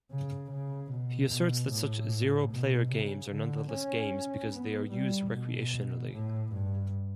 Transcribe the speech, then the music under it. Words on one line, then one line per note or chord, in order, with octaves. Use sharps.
He asserts that such zero-player games are nonetheless games because they are used recreationally.
C#3
C#3
B2
B2
A2
B2
C#3
D3
C#4
B3
G3
B2
A2
G2